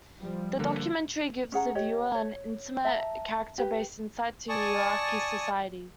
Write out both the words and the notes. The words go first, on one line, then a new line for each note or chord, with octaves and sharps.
The documentary gives the viewer an intimate, character-based insight into Iraqi society.
F3 G3
D3 A#3
C#4 G#4 F#5 A#5
G4 C#5 D#5
C#5
E5 A5 A#5
G4 B4
D5 G#5 A5 C#6 D#6